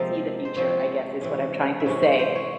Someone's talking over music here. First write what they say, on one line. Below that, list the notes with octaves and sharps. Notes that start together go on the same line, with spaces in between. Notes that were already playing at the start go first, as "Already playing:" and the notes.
see the future, I guess is what I'm trying to say.
Already playing: C3 F3 G#3 A#3 C4 A#4
C5
C3 F3 G#3 C4 C#5
C3 E3 G#3 C#4
E5
C3 E3 G#3 C#4 C#5
C5
C5
C#5